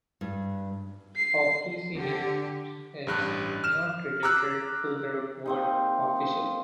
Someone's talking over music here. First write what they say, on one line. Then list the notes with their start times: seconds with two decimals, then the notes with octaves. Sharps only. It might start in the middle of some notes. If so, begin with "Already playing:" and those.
"Officinal" is not related to the word "official".
0.21 G2
1.16 C7
1.96 D3 G4
3.07 A1 G2 F#6
3.64 F6 E7
4.23 A#5 D6 E6 F#6
5.46 A#3 C4 D#4